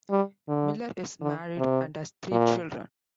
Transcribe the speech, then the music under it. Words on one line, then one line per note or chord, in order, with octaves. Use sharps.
Miller is married and has three children.
G3
D3
D3
C3
A#2